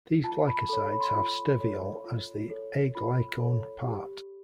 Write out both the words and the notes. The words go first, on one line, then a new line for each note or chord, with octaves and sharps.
These glycosides have steviol as the aglycone part.
F4 A5
B5
A4 C#5 B5
B5
C6
B5
F4
A4 C#5
F4
A4 C#5
F4 B5
A4 C#5
G4